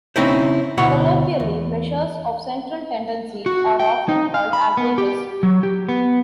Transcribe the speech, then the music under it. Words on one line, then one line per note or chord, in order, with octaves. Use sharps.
Colloquially, measures of central tendency are often called averages.
C#3 C4 C#4 D#4 E4 C5
D2 B2 E4 C#5 F#5
E2
F#4
G5
D#4
F5
B5
B3
G4
F#3
G4
B3